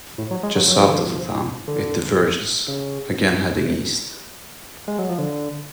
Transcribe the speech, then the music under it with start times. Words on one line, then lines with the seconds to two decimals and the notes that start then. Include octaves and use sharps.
Just south of the town, it diverges, again heading east.
0.18 A2
0.31 F#3
0.43 G#3
0.55 F#3
0.68 F#3
0.78 F3
0.88 D3
0.98 F3
1.68 D3
2.68 C#3
4.88 G#3
4.99 F#3
5.09 F3
5.18 D3